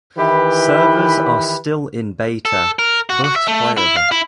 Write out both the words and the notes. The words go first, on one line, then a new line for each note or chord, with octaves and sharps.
Servers are still in beta but playable.
D#3 E3 E4 G4 B4 B5
A4
A#4
F#4
F#4
E5
A3
E4
F5
E4